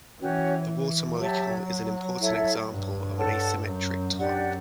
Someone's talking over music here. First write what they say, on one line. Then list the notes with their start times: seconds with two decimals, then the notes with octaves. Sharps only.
The water molecule is an important example of an asymmetric top.
0.20 E3 C#4 F#4 C#5 G5
1.19 F#3 G4 C#5 E5 A5
2.19 E4 A4 C#5 E5
2.68 G2
3.18 A4 C#5 F#5 A5
3.67 F#2
4.17 F#2 D4 G4 D5 F#5